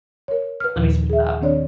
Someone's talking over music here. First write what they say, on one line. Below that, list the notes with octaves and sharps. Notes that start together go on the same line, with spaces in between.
let me switch it up."
A#4 C#5
B4 F6
D#2 A#2 D#3 F3
G#4 E5
D#3 C4 D4 C#5 D5